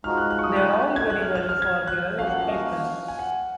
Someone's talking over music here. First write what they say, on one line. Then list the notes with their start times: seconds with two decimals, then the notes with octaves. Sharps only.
They are all very well for the run of people.
0.04 F3 G#3 D#4 F#4 F6
0.17 F#6
0.30 F#6
0.39 C#6
0.43 D#6
0.56 F#6
0.96 G#6
1.10 F#6
1.22 F6
1.35 F6
1.49 F6
1.62 G#6
1.88 F#6
2.14 F3 A#3 C#4 F#4 F5
2.27 F#5
2.41 F5
2.48 D#5
2.54 F5
3.08 G#5
3.19 F#5